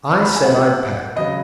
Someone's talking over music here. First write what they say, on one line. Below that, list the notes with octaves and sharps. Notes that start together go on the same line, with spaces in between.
I said I'd pack.
C#6
B5
A#5
G#5
A#2 A#3 C#4 F#5
C#3 F#3 B3 D#5